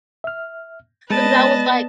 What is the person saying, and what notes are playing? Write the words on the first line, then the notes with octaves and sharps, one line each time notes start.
because I was like
E5 F6
G#3 B3 B4 D5 D#5 A5